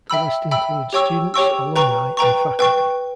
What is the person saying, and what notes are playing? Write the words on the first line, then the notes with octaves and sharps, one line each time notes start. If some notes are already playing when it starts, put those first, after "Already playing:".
The list includes students, alumni, and faculty.
E5 G5 B5 E6
E5 G5 B5 E6
G4 C#5 G5 C#6 E6
G4 C#5 G5 C#6 E6
B4 G5 A#5 C#6
B4 G5 A#5 C#6
B4 G5 C#6